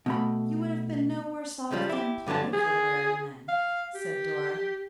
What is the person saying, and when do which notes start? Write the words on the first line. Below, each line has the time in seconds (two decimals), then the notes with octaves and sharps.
'You would have been no worse off than plenty of literary men,' said Dora.
0.06 B2 A3 B5
1.71 C#2 C#3 F3 G3
1.89 E4 G4
2.27 G2 D3 F#3 B3 A5
2.53 G#4
3.48 F5
3.94 G4